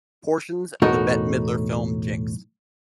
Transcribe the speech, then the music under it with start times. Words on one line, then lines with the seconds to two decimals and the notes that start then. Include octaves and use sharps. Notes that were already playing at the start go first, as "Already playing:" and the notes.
Portions of the Bette Midler film Jinxed!
0.82 B1 E2 A2 D#4 F#4 A#4